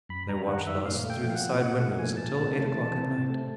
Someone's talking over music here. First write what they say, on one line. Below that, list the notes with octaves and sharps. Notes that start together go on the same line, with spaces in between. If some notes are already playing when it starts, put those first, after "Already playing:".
They watched thus through the side windows until eight o'clock at night.
F#2 B5
G3 A#5
D#3 F#5
F#2 E5
A#2 F5
A3
G5
F3
F5
F#5
A#2
A#2 F#5
A3 F#5
F3 G#5
A#2 A5
C3
A3
E3
C4
C3
A3